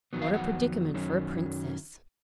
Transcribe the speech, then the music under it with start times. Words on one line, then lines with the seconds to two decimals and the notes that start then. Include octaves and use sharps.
What a predicament for a princess!
0.13 F2 D#3 F#3 B3
0.22 F5
0.33 F#5
0.94 F#2 D#3 F#3 C#4